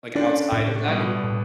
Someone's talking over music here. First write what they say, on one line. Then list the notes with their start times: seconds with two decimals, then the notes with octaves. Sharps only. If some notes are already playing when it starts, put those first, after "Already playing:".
Like outside of that y
0.15 D3 C#4 D4
0.52 A2
0.76 A3
0.88 B2 G3 B3
1.23 A2